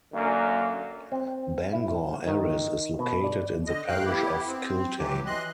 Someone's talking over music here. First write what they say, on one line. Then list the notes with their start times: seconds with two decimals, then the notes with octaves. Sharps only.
Bangor Erris is located in the Parish of Kiltane.
0.13 F#2 D3 A#3
1.12 C4
1.73 E4
2.26 D#3
2.99 B2
3.24 D5
3.67 D3 D#5
3.88 F2 A3 F5 G5 F#6
4.05 B3 E4 G4
4.48 C4
4.99 E3 F#3 G4
5.26 E3 D#5 C6 F#6